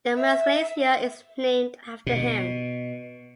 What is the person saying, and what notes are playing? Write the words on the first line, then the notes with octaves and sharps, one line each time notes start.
The Mertz Glacier is named after him.
E5
B2